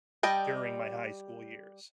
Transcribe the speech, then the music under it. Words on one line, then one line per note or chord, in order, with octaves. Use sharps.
during my high school years.
G3 D#5 G5 A5